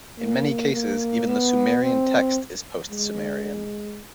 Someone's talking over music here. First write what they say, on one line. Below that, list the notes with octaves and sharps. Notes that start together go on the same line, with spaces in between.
In many cases, even the Sumerian text is post-Sumerian.
A#3
A#3
B3
C4
G#3